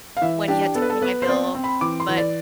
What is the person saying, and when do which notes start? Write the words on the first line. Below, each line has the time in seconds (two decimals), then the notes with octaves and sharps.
when he had to pay my bill, but
0.17 F5
0.22 E3 E5
0.48 D4 G4
0.75 B3 A4
0.82 B4
0.90 A4
1.01 B3 B4
1.22 C5
1.28 C4 D5
1.55 C4
1.64 B5
1.81 E3 D6
2.00 C6
2.08 E3
2.17 D5